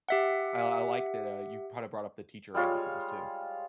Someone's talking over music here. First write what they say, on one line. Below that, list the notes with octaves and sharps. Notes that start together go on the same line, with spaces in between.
I I like that, uh, you b kinda brought up the teacher angle to this, too.
G4 E5 F#5
G3 G#3 F4 C#5